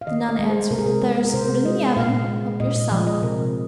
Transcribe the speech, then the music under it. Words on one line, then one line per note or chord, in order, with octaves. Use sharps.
The nun answered: 'There is food in the oven, help yourself.'
F5
D#3 D#5
D#5
G#3
C5
C3 A#4
G#4
A#4
G#3
A#4
C3 C5
G#3 D#5
A#2 F5
G#3
A#2 D#5
D#5
F3 G#3 D#5
D#5
C3 A#4